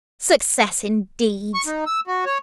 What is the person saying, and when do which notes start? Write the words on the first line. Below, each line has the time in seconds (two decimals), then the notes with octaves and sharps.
Success indeed!
1.54 C#6
1.66 D#4
1.86 E6
2.07 F#4
2.25 C#5